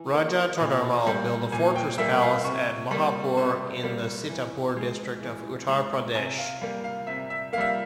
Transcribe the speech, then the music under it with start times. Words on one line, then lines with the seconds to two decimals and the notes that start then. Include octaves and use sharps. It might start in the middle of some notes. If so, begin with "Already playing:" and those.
Raja Todarmal built a fortress-palace at Laharpur in the Sitapur district of Uttar Pradesh.
Already playing: E3
0.14 A#3
0.60 A#2
1.07 G3 A#3
1.52 A#2 G#5
1.76 G5
1.98 G3 A#3 E5
2.22 F5
2.44 C3 C#6
2.91 G3 A#3
3.37 C3 C6
3.83 G3 A#3
4.29 E3
4.77 G#3
5.22 E3
5.69 G#3
6.15 C3 G#5
6.38 F5
6.61 G3 A#3 F5
6.84 F5
7.07 C3 E5
7.30 E5
7.53 A#3 F5
7.58 G3 E5
7.67 F5